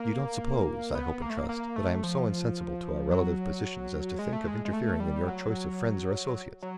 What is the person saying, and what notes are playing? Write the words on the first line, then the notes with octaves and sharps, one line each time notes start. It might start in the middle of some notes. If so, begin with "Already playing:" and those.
You don't suppose, I hope and trust, that I am so insensible to our relative positions as to think of interfering in your choice of friends or associates.
Already playing: A#3
B3
A#3
A3
A#3
A#3
A3
F3
F#3
G#3
A3
G#3
G#3
A3
G3
F#3
F#3